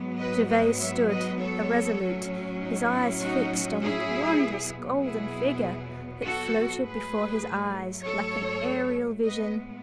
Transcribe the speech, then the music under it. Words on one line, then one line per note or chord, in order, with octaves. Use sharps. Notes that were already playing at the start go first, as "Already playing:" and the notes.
Gervase stood irresolute, his eyes fixed on that wondrous golden figure that floated before his eyes like an aerial vision.
Already playing: G#2 F#3 B3
B4 D#5
B4 D#5
C#5 E5
B4 D#5
A4 C#5
A2 F#3 C#4
D#4
E4
D#4 F#4
E4 G#4
E2 B2 F#3 B3
E4 G#4
F#4 A4
G#2 F#3 A3 G#4 B4
A4 C#5
A2 G#3 B3 B4 D#5